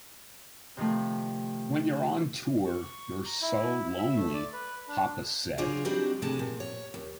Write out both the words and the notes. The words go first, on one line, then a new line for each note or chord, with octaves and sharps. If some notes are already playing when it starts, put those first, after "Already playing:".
"When you're on tour, you're so lonely," Hoppus said.
C3 D#3 F3 A3
C#6
A#5
E4
E5
A3
D5
B4
D4
C#3 F#3 D4 F4 G#4 C#5
G3 C4 D4 D#4 F#4 G4
D2 C3 G#3 A5
A#2
C#5
D#2